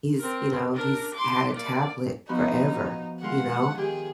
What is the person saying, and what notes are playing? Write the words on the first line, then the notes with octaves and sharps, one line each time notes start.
he's, you know, he's had a tablet forever, you know?
C4 A#4
D4 A#4
C6 D6
A#3 D5
F3 B3 D#4 F#4
D#3 G#3 F4 F#5
D#3 G4 G#4